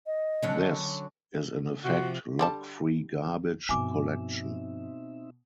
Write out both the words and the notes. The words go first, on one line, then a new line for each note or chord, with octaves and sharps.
This is in effect lock-free garbage collection.
D#5
D3 F#3 C#4
C3 F3 F#4
D3 G3 A5
G2 B2 F3 C4 D#4 E5 G#5 D6